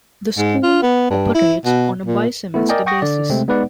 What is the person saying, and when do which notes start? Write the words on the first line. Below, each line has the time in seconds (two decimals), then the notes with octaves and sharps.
The school operates on a bi-semester basis.
0.38 G#2
0.63 F4
0.82 B3
1.10 G2
1.35 E4
1.65 B2
2.06 A#2
2.54 A3 B3 E4
2.69 A#4 D5 D#5 G5 G#5
2.86 F#5 G5 C#6 D#6 A#6
3.02 D3 D5
3.30 C3 G#3 A3 C4
3.48 G#3 B3 D#4 B4 D5 F#5